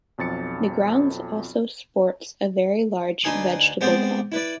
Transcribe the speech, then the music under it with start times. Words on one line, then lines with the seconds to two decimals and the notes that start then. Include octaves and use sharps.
The grounds also sports a very large vegetable garden.
0.18 B1 F2 A6 C#7
3.24 D2 D#4 B4 G#5 C6 D#6
3.81 G#3 B3 C4 G4 C5 D5
4.32 E4 B4 D5